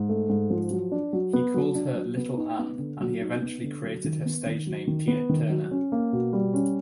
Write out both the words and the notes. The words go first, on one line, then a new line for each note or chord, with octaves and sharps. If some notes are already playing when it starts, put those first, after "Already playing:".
He called her "Little Ann" and he eventually created her stage name Tina Turner.
Already playing: G#2
A3
G#2
F3
F#3
D4
F#3
B3
F#3
D4
F#3
B3
D#4
B3
D3
F#3
D#4
B3
D3
F#3
D#3
B3
D#3
F#3
D#3
B3
D#3
F#3
C#4
A#3
B2
G3
C#4